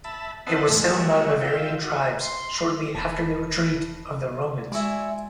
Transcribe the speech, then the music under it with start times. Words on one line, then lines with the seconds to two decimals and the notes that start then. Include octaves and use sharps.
It was settled by Bavarian tribes shortly after the retreat of the Romans.
0.04 E5 A5 B5
0.47 C4 B4 D#5 E5 F#5 A5
0.68 E2 A2 G#3 A3
0.86 G3 G#3 A#3 F#4 C#5 E5
1.41 F4 E5 G5
1.83 F#4
2.22 C6
2.95 E1 A5 B5
4.72 G#3 E4 F#4 D5 G#5 C6